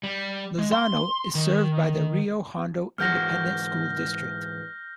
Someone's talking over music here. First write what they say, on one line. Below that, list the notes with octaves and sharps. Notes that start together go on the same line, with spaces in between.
Lozano is served by the Rio Hondo Independent School District.
G3
G#3
C6
D#3
G#2 E3 F#5 F6 G6 A#6